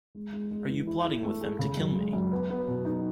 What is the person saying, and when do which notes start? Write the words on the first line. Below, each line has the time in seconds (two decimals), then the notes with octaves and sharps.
Are you plotting with them to kill me?
0.15 G#3
0.33 G#3
0.51 G#3
0.69 E3
0.87 E4
1.05 E4
1.23 A3
1.41 G#4
1.59 C#3
1.77 F#2
1.95 G#3
2.13 F#2
2.32 B3
2.50 B3
2.67 B2
2.85 D#4